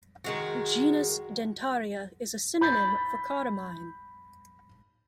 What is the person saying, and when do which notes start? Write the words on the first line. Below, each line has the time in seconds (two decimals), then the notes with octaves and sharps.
Genus Dentaria is a synonym for "Cardamine".
0.24 D#3 G#3 F#4
2.61 B5 G6 A6